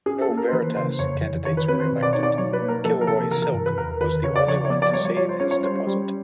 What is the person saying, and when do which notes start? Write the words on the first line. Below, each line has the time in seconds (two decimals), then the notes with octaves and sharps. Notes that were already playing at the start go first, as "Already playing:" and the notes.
No Veritas candidates were elected; Kilroy-Silk was the only one to save his deposit.
0.06 C#4 G#4
0.21 A4
0.29 A#3
0.37 A#4
0.48 C5
0.53 E3 B4
0.76 C#3 C5
0.99 F2 C#5
1.22 E3
1.45 D#3 C#5
1.57 B4
1.68 C4 B4
1.80 C5
1.92 B2
2.03 D5
2.13 D#4 C#5
2.23 D5
2.38 F#3 C#5
2.53 B4
2.62 A#3
2.68 A#4
2.84 F3 A4
3.01 A#4
3.07 C3 A4
3.31 E3 A#4
3.42 A#4
3.54 G2
3.66 B4
3.78 E2 A#4
4.01 D#3 B4
4.24 C#3 C#5
4.36 D5
4.47 F3 C#5
4.65 C#5
4.70 B3 D5
4.82 D5
4.93 G3 C#5
5.05 C#5
5.17 F4 C#5
5.29 C5
5.40 C#4 C#5
5.51 C#5
5.63 G3 C5
5.87 G3